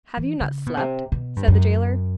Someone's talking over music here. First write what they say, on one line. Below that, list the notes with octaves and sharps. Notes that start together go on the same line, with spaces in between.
"Have you not slept?" said the jailer.
E3
C#3
B2
C3
B2
G2
F#2